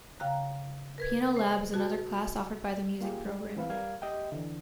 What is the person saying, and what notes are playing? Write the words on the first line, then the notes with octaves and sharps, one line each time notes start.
Piano Lab is another class offered by the music program.
C#3 F5 G5 A#5 F#6
A#4 B4 G#6
C5
B2 F#4 G#4 A5
A#3 F4 G4 G#4
G3
E3 C4 E4 B4 F5
G3 A#4 F5 G#6
G4 D#5 E5 G5
D3 E3